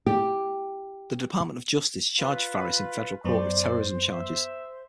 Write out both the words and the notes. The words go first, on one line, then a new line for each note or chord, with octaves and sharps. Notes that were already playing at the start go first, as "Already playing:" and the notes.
The Department of Justice charged Faris in federal court with terrorism charges.
G4
F4 B4
F#2 B3 C5 D5
E5